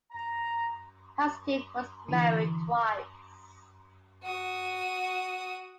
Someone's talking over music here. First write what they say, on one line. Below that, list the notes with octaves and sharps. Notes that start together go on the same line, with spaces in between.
Haskin was married twice.
A#5
D3 E3
F#4 D#6